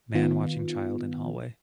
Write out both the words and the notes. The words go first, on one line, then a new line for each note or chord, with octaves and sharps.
Man watching child in hallway.
D#3 B3 F4